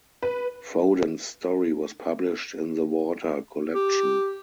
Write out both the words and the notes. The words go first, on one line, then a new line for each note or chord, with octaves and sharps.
Foden's story was published in the 'Water' collection.
B4
G4